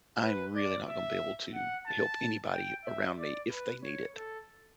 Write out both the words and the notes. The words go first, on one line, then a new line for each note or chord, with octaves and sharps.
I'm really not gonna be able to help anybody around me if they need it.
B4
D5
E5
F#5
A5
G5
E5
D5
B4
C#5
A4